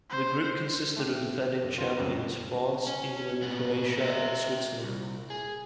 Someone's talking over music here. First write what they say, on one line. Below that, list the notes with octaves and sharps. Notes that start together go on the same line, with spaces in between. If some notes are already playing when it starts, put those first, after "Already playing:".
The group consisted of defending champions France, England, Croatia and Switzerland.
C5
A3 G4
F#2
D#3 F4
C#2 F#2 C4 B4 D5 A#5
C#4
A#2 B3
G4 E5
C2
G#4